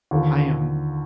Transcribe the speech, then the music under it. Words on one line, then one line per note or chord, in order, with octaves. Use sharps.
I am
D#2 D3 F3